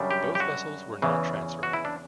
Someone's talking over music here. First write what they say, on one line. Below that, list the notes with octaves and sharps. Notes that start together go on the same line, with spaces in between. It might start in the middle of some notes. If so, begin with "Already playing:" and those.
Both vessels were not transferred.
Already playing: F#2 C#3 G3 D4
G4
G4
F#4
E2 C#3 E3
F#4
E4
D4